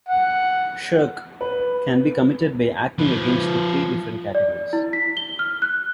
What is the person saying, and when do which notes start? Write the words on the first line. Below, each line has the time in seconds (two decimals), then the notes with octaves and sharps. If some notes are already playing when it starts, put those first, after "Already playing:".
"Shirk" can be committed by acting against the three different categories.
0.09 F#5
1.41 B4
2.99 F3 B4
4.35 D5
4.73 E4
4.93 B6
5.17 G7
5.39 F6
5.62 F#6